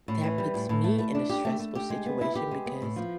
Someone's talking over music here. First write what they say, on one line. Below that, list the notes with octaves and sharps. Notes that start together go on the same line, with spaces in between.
that puts me in a stressful situation, because
A2
E3
G3
A2
A2
A3
A3
D4
G4
A3
A3
G4
G#3
B3
E4
G4
G#3
B3
A2
F3